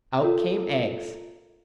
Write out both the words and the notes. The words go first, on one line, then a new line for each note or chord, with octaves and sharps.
Out came eggs.
F4 A4 A#4